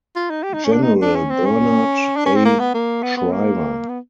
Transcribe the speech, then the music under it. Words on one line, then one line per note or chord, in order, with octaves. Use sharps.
General Bernard A. Schriever.
F4
D#4
G4
D#4
C#4
D4
D#4
D4
C#4
C4
C#4
D4
C#4
C4
A#3
B3
A#3
B3
B3
A#3
B3